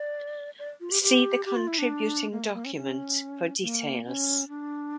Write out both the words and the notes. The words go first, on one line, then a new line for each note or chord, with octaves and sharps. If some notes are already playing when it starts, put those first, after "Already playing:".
See the contributing document for details.
Already playing: D5
D5
F4
G4
G4
G4
F4
E4
D4
A#3
A3
A#3
C#4
C#4
A#3
C#4
D4